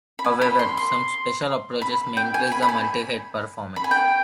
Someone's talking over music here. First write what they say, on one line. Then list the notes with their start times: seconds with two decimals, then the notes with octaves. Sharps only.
However some special approaches may increase the multihead performance.
0.19 B5
0.25 G#5
0.42 B5
0.59 C6
0.77 C6
1.81 B5
2.17 G5
2.34 G#5
2.47 G#5
2.52 B5
2.62 B5
2.69 G#5
3.76 B5
3.84 G#5
3.91 G5